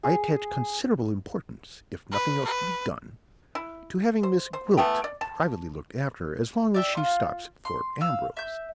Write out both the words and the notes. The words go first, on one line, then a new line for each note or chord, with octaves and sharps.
I attach considerable importance--if nothing else can be done--to having Miss Gwilt privately looked after, as long as she stops at Thorpe Ambrose.
G#4
B4
B4
E4
C5
C5
E3 A3 B3 G5
D5
A5
D5 E5 G5
F4
C6
F5 E6
E5 G6